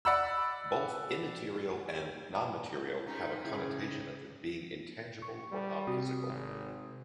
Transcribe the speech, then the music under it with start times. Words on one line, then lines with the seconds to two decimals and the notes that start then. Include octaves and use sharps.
Both "immaterial" and "non-material" have a connotation of being intangible or non-physical.
0.05 D5 F#5 B5 E6
3.07 G3 C4 C#4 D#4
3.45 C#3 E4 G#4
5.22 C#6
5.52 G3
5.87 C3 F#4 D#6
6.27 G#1